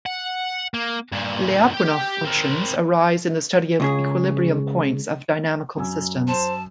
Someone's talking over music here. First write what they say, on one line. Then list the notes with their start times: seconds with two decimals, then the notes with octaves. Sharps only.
Lyapunov functions arise in the study of equilibrium points of dynamical systems.
0.06 F#5
0.74 A#3
1.12 G2 A#2
1.74 G4 G5
2.25 C4 A#4
3.80 C#2 C#3 G#4
5.77 F#2 G#5 E6
6.28 C5 A5